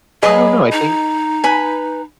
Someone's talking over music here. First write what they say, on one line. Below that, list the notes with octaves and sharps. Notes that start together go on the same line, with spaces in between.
I don't know. I think
F#3 G#4 B4 D#5
D#4
B4 G#5